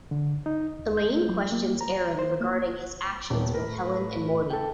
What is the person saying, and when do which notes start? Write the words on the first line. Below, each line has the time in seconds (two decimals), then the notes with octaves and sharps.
Elaine questions Aaron regarding his actions with Helen and Morty.
0.11 D3
0.46 D#4
0.79 D#2
0.97 G6
1.11 A3
1.29 F#3
1.52 A#3
1.81 A#5
2.19 C5
2.41 A#3
3.30 D#1 A#2 B3
3.54 A2 A#4 B4
4.50 A4 G5